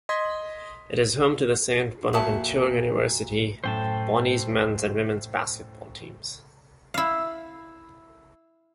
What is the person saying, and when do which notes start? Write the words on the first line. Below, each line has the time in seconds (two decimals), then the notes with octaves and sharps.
It is home to the Saint Bonaventure University Bonnies men's and women's basketball teams.
0.09 D#5 C6 G#6 B6
2.13 F2 A#2 F#4 E5 A5
3.64 F#2 A2 C5 G5 A5
6.94 E4 F5